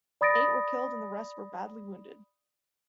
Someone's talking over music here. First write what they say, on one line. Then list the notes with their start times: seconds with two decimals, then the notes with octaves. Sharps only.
Eight were killed and the rest were badly wounded.
0.21 D5 B5 D#6 A6 A#6 D7